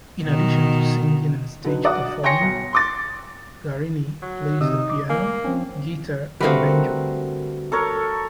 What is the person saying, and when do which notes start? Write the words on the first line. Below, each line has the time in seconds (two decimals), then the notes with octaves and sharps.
In addition to singing and stage performing, Guarini plays the piano, guitar, and banjo.
0.22 B2 D#3
1.64 D3 F#3 D#4 B4
1.84 F#4 D5 F#5 D6 D#6
2.23 C#5 G5 G#5 C6 A#6 C#7
2.41 B1
2.73 C6 D6 A6
4.22 F#3
4.61 C3 D#4 E6
4.90 D6
5.09 A#3 G#5
5.44 F3 C4 C#4
6.40 D3 G3 A3 C4 F#4 A#4 B4 F5
7.72 A4 A#4 C#5